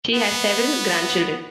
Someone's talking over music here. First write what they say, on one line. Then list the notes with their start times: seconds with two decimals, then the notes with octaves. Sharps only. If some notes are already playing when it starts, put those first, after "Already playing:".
She has several grandchildren.
0.14 B3